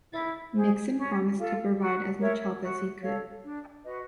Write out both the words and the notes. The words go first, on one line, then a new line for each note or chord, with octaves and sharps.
Nixon promised to provide as much help as he could.
E4
G#4 C5
C#4
F4 A4
F#4
A#4 C#5 E5
F#4
A4 C#5 F5
D4
F#4 B4 D#5